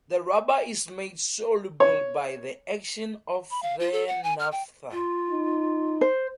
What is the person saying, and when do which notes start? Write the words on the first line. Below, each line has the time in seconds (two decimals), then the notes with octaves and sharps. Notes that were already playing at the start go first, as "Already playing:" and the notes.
The rubber is made soluble by the action of the naphtha.
1.80 C#5
3.51 B5
3.63 F5
3.80 F4
3.92 A4
4.08 F#5
4.23 G#5
4.39 F6
4.52 G5
4.91 F4
5.30 D#4
6.01 C5